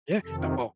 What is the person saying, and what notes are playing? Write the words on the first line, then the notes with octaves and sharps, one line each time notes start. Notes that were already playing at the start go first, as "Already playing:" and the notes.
Yeah, uh, well,
F2 C3 D#3 A4